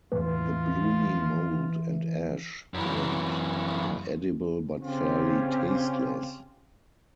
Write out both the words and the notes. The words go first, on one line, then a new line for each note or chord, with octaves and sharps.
The bloomy mold and ash rind are edible but fairly tasteless.
E2 A2 E3 A3 F4
F#2 E3
C#3 C4 C#4 F4 G4